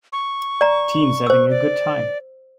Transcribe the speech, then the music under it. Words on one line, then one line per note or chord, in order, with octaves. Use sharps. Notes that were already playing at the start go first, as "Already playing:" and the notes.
Teens having a good time.
C#6
D5 A#5
C5 E6
D5